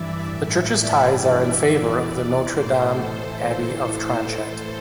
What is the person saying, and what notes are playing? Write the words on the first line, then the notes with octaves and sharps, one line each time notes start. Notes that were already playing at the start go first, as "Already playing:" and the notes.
The church’s tithes are in favor of the Notre-Dame abbey of Tronchet.
Already playing: G2 E3 D5 E5
A2 E3
D5
G2 E3
E5
E2 E3 D5
A2 E3 C5
A4